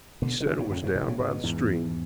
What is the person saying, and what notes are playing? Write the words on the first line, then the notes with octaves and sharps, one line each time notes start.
He said it was down by the stream.
B2 D3
D3
C#3 E3
A2 C#3
A2 C#3
G#2 B2
A2 C#3
D3
A2 C#3
G#2 B2
E2 G#2